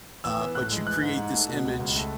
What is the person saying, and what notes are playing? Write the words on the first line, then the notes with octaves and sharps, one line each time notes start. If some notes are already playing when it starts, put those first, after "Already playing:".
uh, but you create this image
E3 E6
B3
A2 F#6
G#3
E3 F#6
G#2
G#2
A3
B2
C#2
C#2
A3